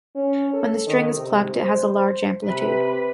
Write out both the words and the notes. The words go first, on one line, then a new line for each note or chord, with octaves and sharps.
When the string is plucked, it has a large amplitude.
C#4
A4
D#3
C3
C5
C3 B4